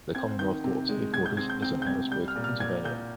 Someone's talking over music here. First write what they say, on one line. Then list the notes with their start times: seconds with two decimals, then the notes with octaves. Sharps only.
The Commonwealth Court's headquarters is in Harrisburg, Pennsylvania.
0.15 C4 G#6
0.39 D#3 G6
0.64 C3
0.89 G#3
1.13 C3 G#6
1.26 G6
1.37 C4 G#6
1.50 G6
1.62 C4 G6
1.82 G6
1.87 C3 G#6
2.11 G3 G6
2.28 F6
2.36 A#2
2.44 F6
2.60 A#2 G#6
2.85 A#2 G6